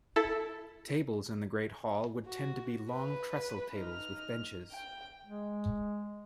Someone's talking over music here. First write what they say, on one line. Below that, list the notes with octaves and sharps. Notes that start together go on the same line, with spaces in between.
Tables in the great hall would tend to be long trestle tables with benches.
E4 A4
F#4
B4
D#4 F6
G5
G#3